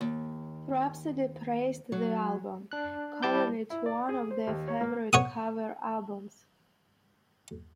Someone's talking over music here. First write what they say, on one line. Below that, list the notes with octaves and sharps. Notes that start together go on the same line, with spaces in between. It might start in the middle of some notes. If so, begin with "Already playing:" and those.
Rhapsody praised the album, calling it one of their favorite cover albums.
D#2
F#3
D4 F#6
G3 E4 A5 D6 G6
E4
D5
G#4
C5
D#2
C#5
A#3
C#5 F#5 D#6